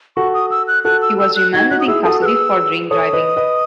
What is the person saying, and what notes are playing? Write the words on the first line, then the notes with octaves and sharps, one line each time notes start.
He was remanded in custody for drink driving.
F#4 A4 C#6
D#6
E6
F#6
F#4 A4 F#6
E6
E6
F#6
D#4 F#4 G#6
D#4 F#4 F#6
D#6
E4 G#4 E6
F#4 A4 D#6
G#4 B4 E6 F#6
A4 C#5 D#6
B4 D#5
B4 D#5